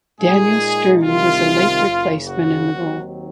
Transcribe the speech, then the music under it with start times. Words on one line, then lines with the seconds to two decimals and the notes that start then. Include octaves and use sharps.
Daniel Stern was a late replacement in the role.
0.21 A#2 G#3 D#4 G#4
1.03 C2 C3 D#3 F4
1.86 F#1 F#2 C#3
2.28 F#4
2.69 D#2 D#3 F#3 C4